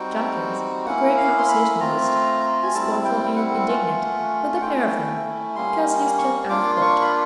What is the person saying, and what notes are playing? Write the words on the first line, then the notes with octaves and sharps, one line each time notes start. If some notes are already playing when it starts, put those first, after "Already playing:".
Jawkins, the great conversationalist, is scornful and indignant with the pair of them, because he is kept out of court.
Already playing: G3 C4 D#4 F#4 G5
A#3 C#4 E4 F#5
F5
C6
B5
A3 C4 F4 A#5
G#5
G3 C4 E4 A5
G5
F#5
A3 C#4 F4
F#5
A3 C#4 E4 G5
G3 A#3 C#4 C6
C#6
A#3 D4 F4 D6
C6
C#6
B5